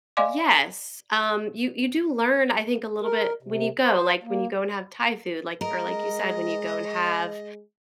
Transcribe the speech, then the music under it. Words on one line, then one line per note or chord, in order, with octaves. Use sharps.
Yes, um, you you do learn, I think, a little bit when you go like when you go and have Thai food, like or like you said, when you go and have
D5 D#5 F5 G#5 C6 D6
A#4
C3
C5
A#3
G#3 A#4 D#5